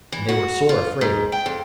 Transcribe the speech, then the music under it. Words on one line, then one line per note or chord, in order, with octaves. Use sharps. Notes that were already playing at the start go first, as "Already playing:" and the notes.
And they were sore afraid.
E3
F#4
F4
G#2
G5
F2